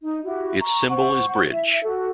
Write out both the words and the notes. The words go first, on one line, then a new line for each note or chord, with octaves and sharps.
Its symbol is bridge.
D#4
E4 F#4 G4
A#5 C#6
C5 F#5 C#6
E4 E5
F#4 A4